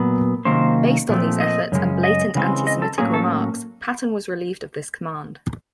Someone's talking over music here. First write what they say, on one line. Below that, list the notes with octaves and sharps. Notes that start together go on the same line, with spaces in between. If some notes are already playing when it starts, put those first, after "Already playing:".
Based on these efforts and blatant antisemitic remarks, Patton was relieved of this command.
Already playing: A#2 F#3 B3
C3 D#3 F#3 A#3 C#4 C5
A#2 F3 A3 C4
D#5
F#2 C#3 G#3 C#4
D#5
C#3 E3 G#3 C4
D#5
A4
A2 F#3 A#3 C#4 G#4
A4